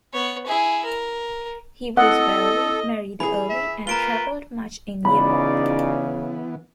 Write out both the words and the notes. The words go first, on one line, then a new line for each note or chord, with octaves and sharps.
He was wealthy, married early, and travelled much in Europe.
B3 C#5
E4 G#4
A#4
C4 E4 A4 D#5 F#5
E3 G#4 B5
E5
A#3 F4 B4 A#5 D7 G7
C#3 E3 B3 D#4 F4 D5 B5